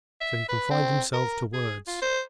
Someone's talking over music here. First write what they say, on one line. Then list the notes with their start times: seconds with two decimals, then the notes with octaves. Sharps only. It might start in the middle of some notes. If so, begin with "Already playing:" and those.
So he confined himself to words.
0.21 E5
0.48 B4
0.70 C4
1.13 A#4
1.53 G#4
1.87 F4
2.02 C5